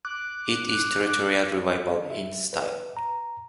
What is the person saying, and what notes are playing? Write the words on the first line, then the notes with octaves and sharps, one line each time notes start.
It is Territorial Revival in style.
D6 F#6
E5
B4
A#5